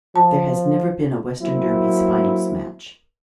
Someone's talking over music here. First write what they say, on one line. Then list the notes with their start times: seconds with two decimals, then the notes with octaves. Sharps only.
There has never been a Western Derby finals match.
0.16 F3 A5
1.40 F#3 A#3 C4 E4